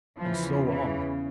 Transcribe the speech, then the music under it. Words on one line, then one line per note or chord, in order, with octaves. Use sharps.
And so on.
E2 C#3 E3 F3
E3